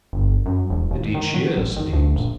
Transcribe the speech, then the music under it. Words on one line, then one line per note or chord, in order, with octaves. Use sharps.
"Indeed she is," said Eames.
G1
F#2
E1
D#2
D#3
F#3
A1
D#3
D2
A#1